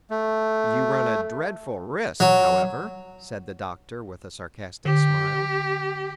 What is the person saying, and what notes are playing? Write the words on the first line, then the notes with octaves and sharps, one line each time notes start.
"You run a dreadful risk, however," said the Doctor, with a sarcastic smile.
A3
F#3
D3 G4